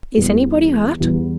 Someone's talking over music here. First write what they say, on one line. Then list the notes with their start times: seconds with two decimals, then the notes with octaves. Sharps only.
"Is anybody hurt?"
0.17 E2 E3 G3
1.00 E2 E3 G3